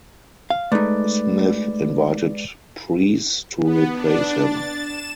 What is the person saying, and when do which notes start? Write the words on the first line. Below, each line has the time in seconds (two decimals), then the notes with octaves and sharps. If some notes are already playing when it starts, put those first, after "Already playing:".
Smith invited Preece to replace him.
0.50 F5
0.72 G#3 A3 D#4 B4 D5
3.63 B3
3.96 D4
4.43 A6
4.79 E7